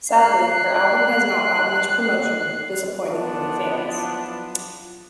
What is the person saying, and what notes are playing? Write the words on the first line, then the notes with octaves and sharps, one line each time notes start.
Sadly, her album has not gotten much promotion, disappointing many fans.
F#6 C7
F3 F#3 B3 D4 E4 F4